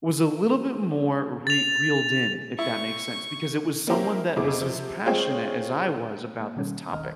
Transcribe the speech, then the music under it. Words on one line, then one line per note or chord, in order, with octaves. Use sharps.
was a little bit more re reeled in, if that makes sense, because it was someone that was as passionate as I was about this topic.
A6 F7
E4 C#6
A#3 C4 C#4 E4 G4 A#4
F2 B2 E4 G#4 D6
C3 F3
G#3 C4 F4 G#4 C#5 G5
A#3
B2 D#3 G3 C#4
G#1 D#2 D#3 D#5 F6